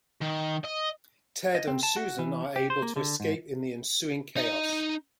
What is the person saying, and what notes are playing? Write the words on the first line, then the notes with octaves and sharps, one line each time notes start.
Ted and Susan are able to escape in the ensuing chaos.
D#3
D#5
D#5
C4
A5
F#4
E3
G4
C5
A#3
D3
G#2
D#4 D#5